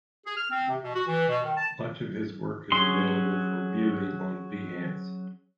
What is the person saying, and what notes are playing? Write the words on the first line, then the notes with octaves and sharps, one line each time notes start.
Much of his work is available for viewing on Behance.
G#4
F6
C4
C3
B2
F#4
E3
B2
D#3
A5
F#3 C#4 G#4 C6